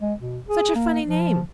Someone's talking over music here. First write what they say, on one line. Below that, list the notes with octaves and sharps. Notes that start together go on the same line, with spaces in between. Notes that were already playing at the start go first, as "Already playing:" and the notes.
"Such a funny name."
G#3
B2
G#4
A#3
F3